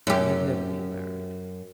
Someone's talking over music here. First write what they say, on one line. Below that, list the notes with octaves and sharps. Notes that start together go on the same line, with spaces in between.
He had never been married.
F#2 G4